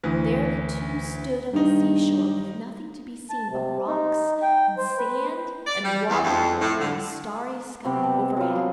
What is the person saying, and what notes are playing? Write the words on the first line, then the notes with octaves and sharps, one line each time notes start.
There the two stood on the sea-shore, with nothing to be seen but rocks and sand and water, and the starry sky overhead.
D2 E3
G2 D#3 D#4
A5
C3
D#4
G5
C5
B4
D5
G3
E2
F2
A2
D3
C3 B3 C4 G4
A5
F#3 F4
G#4